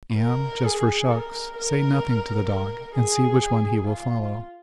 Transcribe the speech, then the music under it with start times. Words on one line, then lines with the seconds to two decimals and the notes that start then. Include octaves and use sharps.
Am, just for shucks, say nothing to the dog and see which one he will follow.
0.18 A#4
0.64 G#4
1.11 A#4
1.57 A#4
2.49 A#4
2.95 G#4
3.42 G#4
3.88 F4